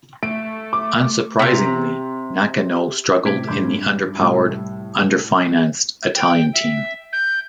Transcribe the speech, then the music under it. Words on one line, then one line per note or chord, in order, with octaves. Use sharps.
Unsurprisingly, Nakano struggled in the under-powered, under-financed Italian team.
A3 D7
D6
C3 A#5
A2 C3 G4 G#6 B6 D7
A1 G2 C6 D6 G6
C2 A2 G3 E6
G5
E5
G6